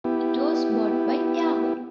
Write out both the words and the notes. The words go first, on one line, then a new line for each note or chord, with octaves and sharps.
It was bought by Yahoo!
B3 E4 G4